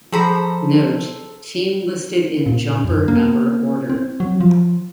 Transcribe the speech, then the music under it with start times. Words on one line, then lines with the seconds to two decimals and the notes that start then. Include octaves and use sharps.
Note: Team listed in jumper number order.
0.12 F3 G#4 A4 C5 A#5 B5
2.46 A#2
2.84 F#2
3.08 A#3
3.90 C4
4.20 F#3
4.41 F3